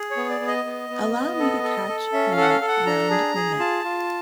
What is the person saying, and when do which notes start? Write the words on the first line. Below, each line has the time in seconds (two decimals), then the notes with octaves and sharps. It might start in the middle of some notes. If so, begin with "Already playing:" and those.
Allow me to catch you round the neck.
Already playing: G#4
0.11 C#5
0.17 B3
0.29 D5
0.40 B3
0.47 D#5
0.65 B3
0.90 B3
1.15 B3
1.39 A4
1.63 A4
1.88 A4
2.13 C#4 E5
2.31 F5
2.37 A4 F#5
2.50 F5
2.61 A4
2.68 F#5
2.86 D4 A#5
3.11 G#4
3.35 G#4
3.59 F4 A5
3.84 F4